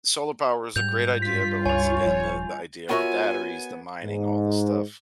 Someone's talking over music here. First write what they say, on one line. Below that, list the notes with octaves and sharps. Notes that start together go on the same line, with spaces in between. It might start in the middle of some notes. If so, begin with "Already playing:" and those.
solar power is a great idea, but, once again, the the idea of the batteries, the mining, all the stuff,
G#2 G3 G6 F7
G2 F4 B6
C#2 C#5 G#5 F7
D#1 F3
B3 F4 F#4 A#4 C#5 E5 F#5 G#5
G#2